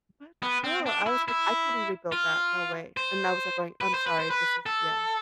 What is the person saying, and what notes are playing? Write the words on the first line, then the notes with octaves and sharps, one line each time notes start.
But still, I was like, "I couldn't rebuild that. No way." And I was like going, "I'm sorry. This is" Yeah.
B3
C4
D4
E4
E4
F4
C5
B4
C5
B4
C5
B4
A4